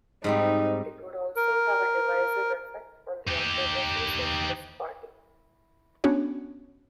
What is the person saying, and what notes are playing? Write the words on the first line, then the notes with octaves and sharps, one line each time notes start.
It would also have a divisive effect on the opposition Socialist Party.
G#2 G3 C4 D#4
A#4
D#4 G4
B3 C#4 D4 F#4 C#5